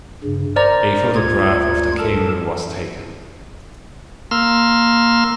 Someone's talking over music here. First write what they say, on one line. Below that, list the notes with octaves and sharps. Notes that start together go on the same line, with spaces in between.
A photograph of the king was taken.
G2 C#3
A#4 C5 D5 A#5
D2 F4 G#6
A4 A#4 A5
A#3 C6 E6 F6